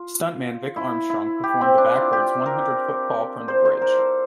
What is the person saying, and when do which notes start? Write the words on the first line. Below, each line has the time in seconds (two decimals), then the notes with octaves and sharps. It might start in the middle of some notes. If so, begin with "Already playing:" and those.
Stuntman Vic Armstrong performed the backwards one-hundred-foot fall from the bridge.
Already playing: F4
0.76 E4
1.10 E4
1.44 G4
1.61 C4
1.78 D4
1.96 F4
2.13 G4
2.46 A#4
3.48 C5
3.65 C5
3.82 A#4
3.99 A4